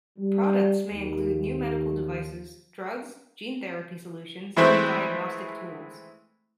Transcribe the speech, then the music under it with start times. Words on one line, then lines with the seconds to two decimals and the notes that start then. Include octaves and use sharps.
Products may include new medical devices, drugs, gene therapy solutions and diagnostic tools.
0.18 G3
0.91 D#2
4.56 E3 G#3 A3 C4 E4 C5